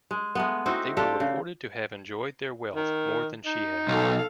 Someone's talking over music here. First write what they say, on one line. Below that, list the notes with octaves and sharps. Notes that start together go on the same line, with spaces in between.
They were reported to have enjoyed their wealth more than she had.
G#3
G#3 A3 B3
C4 D#4 E4 F#4
D4 F4 G4 A4
C#3
D#3
D#4
B1 A4 F5